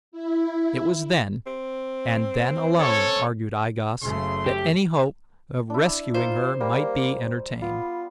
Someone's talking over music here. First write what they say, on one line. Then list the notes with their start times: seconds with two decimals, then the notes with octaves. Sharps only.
It was then, and then alone, argued I-Gos, that any hope of rescuing her might be entertained.
0.12 E4
1.47 C4
2.79 C#4 A4 C#5
4.02 F#1 C#3 A3 C6
4.46 G4
5.70 D4 E4
6.14 D#4 F4 C5
6.60 G3 A#3
7.62 B3 F4